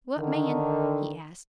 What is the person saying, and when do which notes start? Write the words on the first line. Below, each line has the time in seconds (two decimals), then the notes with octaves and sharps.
"What man?" he asked.
0.18 D3 D#3